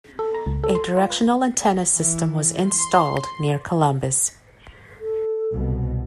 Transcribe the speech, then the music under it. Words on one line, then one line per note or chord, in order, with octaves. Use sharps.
A directional antenna system was installed near Columbus.
A4
A#5
C#2
A4
C6
F4
B4
E3
C6
A4
C2 B2